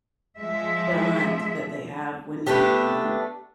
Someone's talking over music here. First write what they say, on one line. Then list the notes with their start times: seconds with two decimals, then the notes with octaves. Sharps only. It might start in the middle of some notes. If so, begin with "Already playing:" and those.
bond that they have when you um,
0.37 F3 G#3 E5
2.46 A3 B3 D4 G4